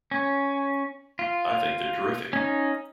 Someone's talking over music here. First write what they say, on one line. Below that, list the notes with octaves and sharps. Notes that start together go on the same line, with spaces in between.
I think they're terrific.
C#4
F4
C#4 D#4